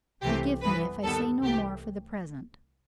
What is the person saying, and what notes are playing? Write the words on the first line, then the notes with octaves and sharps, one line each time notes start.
Forgive me, if I say no more for the present.
C2 C3 E3 A3 G4
G2 E3 B3 B4
D#2 D#3 G3 B3 A4
C2 C3 E3 A3 G4